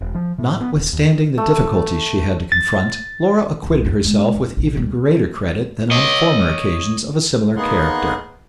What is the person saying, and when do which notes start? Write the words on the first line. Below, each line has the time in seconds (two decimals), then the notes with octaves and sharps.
Notwithstanding the difficulties she had to confront, Laura acquitted herself with even greater credit than on former occasions of a similar character.
0.01 E1
0.15 F3
0.38 A2
0.61 B3
0.74 D#1
0.93 D#2
1.38 A3
2.52 A6
3.63 C2
3.85 F4
4.05 G#3 B3
4.34 D1
4.57 A#1
4.75 D2 G3
5.91 C#5 D#5
7.57 A#3 B3 D#4 G#4 F#5 C6